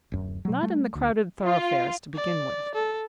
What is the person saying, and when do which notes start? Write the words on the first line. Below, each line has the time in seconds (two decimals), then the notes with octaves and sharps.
Not in the crowded thoroughfares, to begin with.
0.12 D1 F#2
0.45 B2 F#3
0.63 G3 A3
0.95 D2
1.45 F4
2.15 D5
2.75 A4